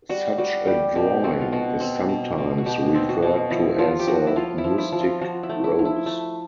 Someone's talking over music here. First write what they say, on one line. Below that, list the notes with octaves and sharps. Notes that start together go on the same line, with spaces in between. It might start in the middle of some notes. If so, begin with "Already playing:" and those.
Such a drawing is sometimes referred to as a mystic rose.
G3 F#4
G3 F#4
G3 G4
B2 G4
C4 F#4
F4
B2 F#4
C4 F#4
B2
B2
F#4
B2 G4
C4
F#4
B2
F3 E4
F3 F4
G4
F3 F#4
E4
F3 F4
E4
F3
E4
F3
F4
F3 F#4
E4
A3
E4
F3
E4
A3